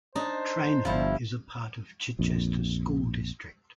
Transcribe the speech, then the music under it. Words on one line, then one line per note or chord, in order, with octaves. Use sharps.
Trainer is a part of Chichester School District.
D4 D#4 C5
G1 F3 G3 E4
A#1 F2